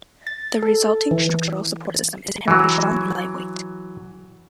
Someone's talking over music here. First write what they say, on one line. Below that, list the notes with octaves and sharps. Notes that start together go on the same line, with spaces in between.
The resulting structural support system is inherently strong and lightweight.
A6
A4
E3
E3 F#3